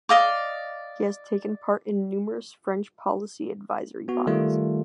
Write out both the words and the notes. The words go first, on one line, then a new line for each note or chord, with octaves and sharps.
He has taken part in numerous French policy advisory bodies.
D5 D#5 F5 D6
B3 F#4
D#3 G3 A3 F4